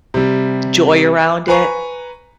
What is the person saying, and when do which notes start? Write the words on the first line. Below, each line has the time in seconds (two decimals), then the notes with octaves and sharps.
joy around it
0.14 C3 G3
1.48 B4 G#5 A#5 C#6